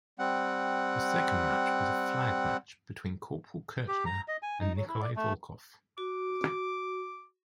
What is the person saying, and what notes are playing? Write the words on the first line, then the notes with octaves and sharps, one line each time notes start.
The second match was a flag match between Corporal Kirchner and Nikolai Volkoff.
G3 C4 F#5
G4
A#5
D#5
G#5
D#4
F#3
E4
D5
A3
F#4 D6